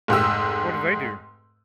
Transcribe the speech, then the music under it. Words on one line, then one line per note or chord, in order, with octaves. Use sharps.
What do they do?
F1 G#2 G4 E6